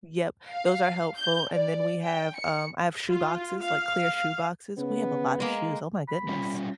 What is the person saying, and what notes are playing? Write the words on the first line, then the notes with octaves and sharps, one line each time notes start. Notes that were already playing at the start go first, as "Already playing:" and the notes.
yup, those are helpful and then we have, um, I have shoe boxes, like, clear shoe boxes. We have a lotta shoes, oh, my goodness.
F5
G6
D5
G5
C#7
F4
F5
C#3 B3
G#3 A#3
B5
G3 C#4 F4